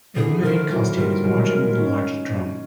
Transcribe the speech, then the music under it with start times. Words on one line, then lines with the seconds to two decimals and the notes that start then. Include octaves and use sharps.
A woman in costume is marching with a large drum.
0.16 D3 E3 G#4
0.43 D#3 F3 A#4
0.70 E3 F#3 A#4
0.96 F3 G3 A#4
1.24 F#3 G#3
1.51 G#3 A#3
1.78 C#4 D#4